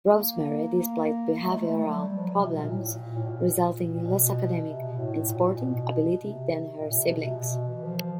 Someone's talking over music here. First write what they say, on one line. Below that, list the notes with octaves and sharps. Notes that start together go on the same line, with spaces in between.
Rosemary displayed behavioral problems, resulting in less academic and sporting ability than her siblings.
A#3
A#3
A#3
A3
G#3
A3
F#3
G3
F3
F#3
C3
B2
A#2
A2
A#2
A2
B2
A#2
A#2
A#2
B2
C3
B2
A2
A#2
A2
A#2
B2
C3
A#2
C3
B2
C3
B2
E3
F3
F3